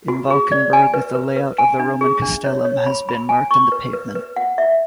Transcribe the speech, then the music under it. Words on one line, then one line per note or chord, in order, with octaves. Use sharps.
In Valkenburg, the layout of the Roman castellum has been marked in the pavement.
F#4
G#4
D5
G#5
B4
B4
B4
G#5
D4
G#4
D4
C#5
C#5
B5
B5
G#5
C#6
B4
B4
B4
F#5
E5